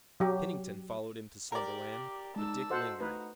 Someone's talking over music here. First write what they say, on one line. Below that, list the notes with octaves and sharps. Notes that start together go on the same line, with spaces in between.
Pennington followed him to slumberland, but Dick lingered.
F#3 G4
G4 A#4 D5
G#3 D#4 A5 E6
F#4 A4 C5 D#5 F#5
A3 D#4 F#4 B4